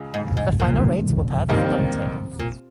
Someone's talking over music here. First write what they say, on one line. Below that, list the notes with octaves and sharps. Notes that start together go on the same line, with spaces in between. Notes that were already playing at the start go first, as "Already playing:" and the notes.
The final rates were per the following table.
Already playing: C#2 C#3 G#3
G#2
G#2
A#2
D#2 C3 D#3 G3 A#3 D#4
A#2